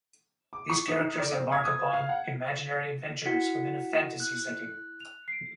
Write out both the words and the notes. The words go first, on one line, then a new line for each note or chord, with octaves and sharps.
These characters embark upon imaginary adventures within a fantasy setting.
D6
C#6
D#4
D#4
D5
C4
G#6
D#6
B4
F5
F#5
E4 F#4 F#5 B6 C#7
F#6
F7
C7 D7